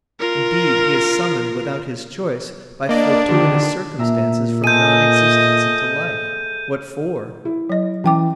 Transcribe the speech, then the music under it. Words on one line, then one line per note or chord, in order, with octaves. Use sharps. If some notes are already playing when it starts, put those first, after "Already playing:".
Indeed, he is summoned without his choice by fortuitous circumstances from non-existence into life . . . what for?
F4 A#4
A#3 D4 D5 D#5
D3 D#3 G4
A#2 E5 A#5
G#4 A4 C5 D#5 G6 D#7
E4
F#3 D#5
E3 C#4 G5 D6